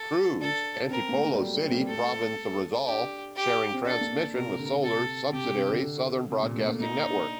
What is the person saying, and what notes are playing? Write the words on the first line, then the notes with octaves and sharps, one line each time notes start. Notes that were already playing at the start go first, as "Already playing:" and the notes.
Cruz, Antipolo City province of Rizal, sharing transmission with Solar's subsidiary, Southern Broadcasting Network.
Already playing: A4
D4 A4
C4 A#4
A#3
A3
G3
F#3
G3
C4
A#3
G3
A3 A4
D4 G4
G4
C4
D4 A4
A#3
C3 A#4
D3
C3 A4
C3 G4
C3
C3
D3
D3
C3
A#2
A3
A#3
A#3 D#4
D4